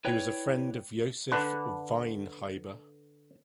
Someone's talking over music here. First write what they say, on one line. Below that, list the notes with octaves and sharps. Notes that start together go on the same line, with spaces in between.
He was a friend of Josef Weinheber.
E4 B4 C#5 D5 G5
D3 D4 B4